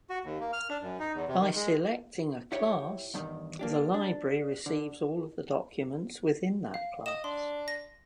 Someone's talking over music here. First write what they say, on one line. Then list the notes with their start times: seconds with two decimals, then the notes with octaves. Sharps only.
By selecting a class, the library receives all of the documents within that class.
0.10 F#4
0.25 D#2
0.40 A#3
0.53 F6
0.70 D4
0.82 F#2
0.99 D#4
1.14 E2
1.28 C3
1.40 D#3
1.55 G#3
2.52 E4 G4 C#5
3.14 E2 G2 D#3
3.59 A#3 D4 G4
3.94 D4
4.66 D3
6.74 F5
7.06 D#5 D#6 E7
7.24 D4 C6
7.68 A#6